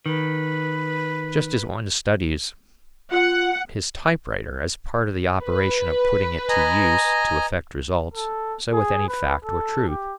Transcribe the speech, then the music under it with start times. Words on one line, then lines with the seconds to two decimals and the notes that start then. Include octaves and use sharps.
Just as one "studies" his typewriter as part of the operation of putting it to use to effect results, so with any fact or truth.
0.06 D#3 B4
3.11 F4 F#5
5.42 B4
6.49 D#5 G#5 A#5
8.14 A4
8.73 G#4
9.08 B4
9.44 A4
9.88 G4